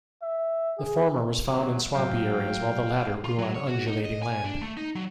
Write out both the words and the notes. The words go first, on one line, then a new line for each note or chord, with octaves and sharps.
The former was found in swampy areas, while the latter grew on undulating land.
E5
G#4
D#2 F#3
A2 F#3 F5 G5
F4
F#3
C#5
F#4
D#4
D#5
G#5
D4
A3
D#4
F#3